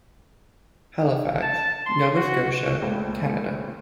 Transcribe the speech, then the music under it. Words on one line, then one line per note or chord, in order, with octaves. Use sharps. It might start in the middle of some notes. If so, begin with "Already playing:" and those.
Halifax, Nova Scotia, Canada.
A5
C6
F#4
C#2 A#2 A3 A#3 C4